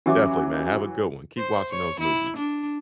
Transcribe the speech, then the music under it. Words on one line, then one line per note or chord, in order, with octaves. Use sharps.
Definitely, man, have a good one. Keep watching those movies.
E3 F#3 C#4 G4 E5 D6
C5
C#5
E4
D4